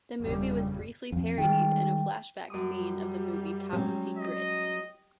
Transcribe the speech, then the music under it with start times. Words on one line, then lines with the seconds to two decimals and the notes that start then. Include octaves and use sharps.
The movie was briefly parodied in a flashback scene of the movie Top Secret!
0.19 G1 F2 C#3 G3
1.12 F2
1.38 D#3 G3 G#3 G5
2.50 F#2 G3 D6 D#6
3.73 F#3 G#3 C#4 G4
4.18 D#5